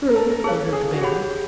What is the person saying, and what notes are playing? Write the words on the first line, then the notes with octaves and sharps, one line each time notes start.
"True," muttered the Bear.
A#4
A4
A#4
G#4 A4 C#5 F5
G#4
F#4
G4 G#4 C#5 F#5 B5